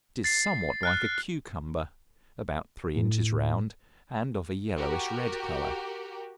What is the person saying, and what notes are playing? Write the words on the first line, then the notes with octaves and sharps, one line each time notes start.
It is somewhat like a cucumber, about three inches round, and of a yellowish red color.
A6 C7
F6 F#6 A6
A2
F#4 G4 A#4